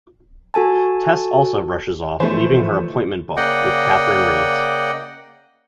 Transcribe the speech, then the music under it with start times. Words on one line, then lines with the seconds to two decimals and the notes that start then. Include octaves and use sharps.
Tess also rushes off, leaving her appointment book, which Katharine reads.
0.54 F#4 A4 G#5 A5
2.20 E3 F3 A3 B4 C5
3.37 C#3 A#3 D5 D#5 F#5 G5